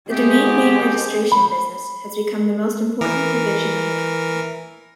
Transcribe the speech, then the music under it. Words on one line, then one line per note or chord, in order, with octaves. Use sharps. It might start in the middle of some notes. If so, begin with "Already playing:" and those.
The domain name registration business has become the most important division of the company.
G#3 A3 B3 C4 G4
B5
E3 A#4